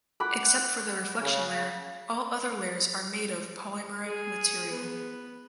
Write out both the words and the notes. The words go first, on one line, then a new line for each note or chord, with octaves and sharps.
Except for the reflection layer all other layers are made of polymeric material.
F#5 B5 D6
C#3
G#4
B3